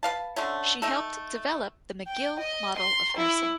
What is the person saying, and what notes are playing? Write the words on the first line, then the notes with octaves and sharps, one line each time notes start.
She helped develop the McGill Model of Nursing.
B4 F5 A5
D3 A3 C#4
A3 D#4 A4
G5
D#5
C6
E4